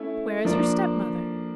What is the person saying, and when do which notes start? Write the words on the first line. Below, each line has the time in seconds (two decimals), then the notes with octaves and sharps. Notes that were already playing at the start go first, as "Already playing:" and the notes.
Where is her stepmother?
Already playing: A3 C#4 E4
0.45 F3 A#3 D4